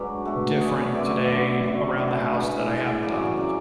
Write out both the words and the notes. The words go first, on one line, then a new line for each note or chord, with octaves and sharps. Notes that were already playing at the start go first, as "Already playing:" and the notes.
"different today around the house that I haven't done."
Already playing: G#2 F#3 D4 F#4 B4
B2 A3 F#4
B2 A3 G#4
B4
C#5
E5
F#2 D3 A3 D5
F#2 D3 A3 B4
F#2 D3 A3 C#5
F#2 D3 A3 E4
F#4
G#4
A4
A2 G#3 B4
A2 G#3
F#2 C#3 F#3 D5
D5
C#3 F#3 D5